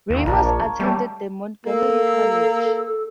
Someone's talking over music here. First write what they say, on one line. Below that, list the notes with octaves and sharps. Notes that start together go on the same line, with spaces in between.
Ramos attended the Montgomery College.
D#2
A#1 A#3 D4
C#5
G3 A3 C#4 G4
A#3 A4